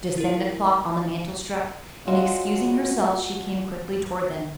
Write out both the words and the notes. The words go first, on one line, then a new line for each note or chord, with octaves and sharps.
Just then the clock on the mantel struck, and excusing herself she came quickly toward them.
E4 A#4
F#3 G#3 D4 F4 F#4